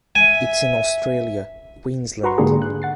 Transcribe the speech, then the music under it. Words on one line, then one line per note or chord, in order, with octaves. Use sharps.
It is in Australia: Queensland.
E5 G#5
F#4 B4 F#5 A#5 C6 C#6
G#2 D3 A#3 D4 G4 G#4
F#6
F#5 A6 C7